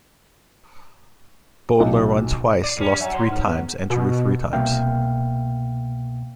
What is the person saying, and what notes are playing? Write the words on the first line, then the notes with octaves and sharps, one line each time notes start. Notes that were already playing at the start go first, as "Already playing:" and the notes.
Bowdler won twice, lost three times, and drew three times.
B1
D5 C7 D#7
E2 G2 G3 C#4
F#3 C#5 E5 G#5
C#5 A#5 C6
G#2 F6
B3 B4
B2
C2 B2 A#3 E5 F5 G5